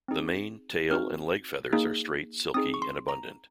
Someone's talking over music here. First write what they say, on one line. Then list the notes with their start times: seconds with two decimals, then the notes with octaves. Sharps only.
The mane, tail and leg feathers are straight, silky and abundant.
0.08 C4 D#4 G#4
0.91 C4 D#4 F#4 F6
1.73 A#3 D#4 G#4
2.54 C4 D#4 G#4 D#6
2.74 C#6
2.82 C6
3.09 A#5